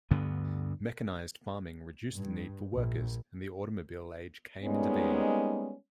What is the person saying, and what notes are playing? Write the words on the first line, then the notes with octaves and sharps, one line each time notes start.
Mechanized farming reduced the need for workers, and the automobile age came into being.
D2 G2 D3 B3
G2
A#1
G3 G#3 A#3 B3 C#4 D#4